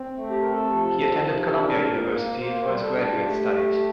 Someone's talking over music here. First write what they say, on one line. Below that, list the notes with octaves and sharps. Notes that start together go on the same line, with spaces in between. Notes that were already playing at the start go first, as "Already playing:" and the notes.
He attended Columbia University, for his graduate studies.
Already playing: C4
A3
G4
C3 A#4
A4
F3
F3
C3
A4
D4 A#4
A#2
A#3
A#3 C5
C5
G3
A4
D4
G4
F4
A3 G4
A3